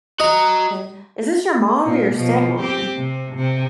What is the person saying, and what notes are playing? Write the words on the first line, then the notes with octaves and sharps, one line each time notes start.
god. Is this your mom or your stepmom?
F#4 D#5 A#5
A#2 B3
B2 F3
C4 G4
C3
C3